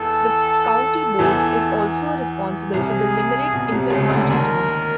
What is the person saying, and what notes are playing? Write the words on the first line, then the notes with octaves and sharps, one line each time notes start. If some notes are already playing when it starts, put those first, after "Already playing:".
The county board is also responsible for the Limerick inter-county teams.
Already playing: E2 E3 A4
E2 E3
C2 C3 G#4
B2
C2 C3
C#2 C#3
D2 D3
D#2 D#3 A#4